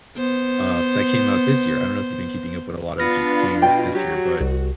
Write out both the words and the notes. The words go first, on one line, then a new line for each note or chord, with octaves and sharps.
uh, that came out this year I don't know if you've been keeping up with a lot of just games this year, but,
B3 C5
B3 D4 F4 B4 F6 A#6
B2 G5
F#3 F#4 G4
C2